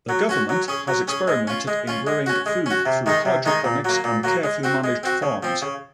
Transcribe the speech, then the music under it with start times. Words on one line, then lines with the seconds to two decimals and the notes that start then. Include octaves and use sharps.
The government has experimented in growing food through hydroponics and carefully managed farms.
0.09 F#3
0.29 C#4 F#4
0.49 F#3
0.68 C#4 G#4
0.88 F#3
1.08 C#4 G#4
1.28 G#3
1.47 C#4 F4
1.67 G#3
1.87 C#4 F4
2.07 G#3
2.26 C#4 F#4
2.46 G#3
2.66 C#4 F#4
2.86 C3
3.06 D#3 G#3 D#4 G#4
3.25 C3
3.46 D#3 G#3 D#4 G#4
3.64 A#2
3.85 F#3 A#3
4.04 A#2
4.24 F#3 A#3
4.44 G#3
4.63 C4 F#4
4.84 G#3
5.03 C4 F#4
5.22 C#3
5.43 F3 C4
5.62 C#3